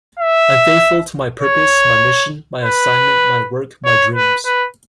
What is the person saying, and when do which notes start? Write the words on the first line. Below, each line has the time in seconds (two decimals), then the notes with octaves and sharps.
I'm faithful to my purpose, my mission, my assignment, my work, my dreams.
0.19 E5
1.41 C#5
2.63 B4
3.85 C#5
4.15 B4
4.46 B4